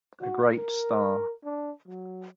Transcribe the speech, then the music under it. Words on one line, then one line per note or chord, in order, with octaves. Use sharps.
A great star.
F#4
A#4
D4
F#3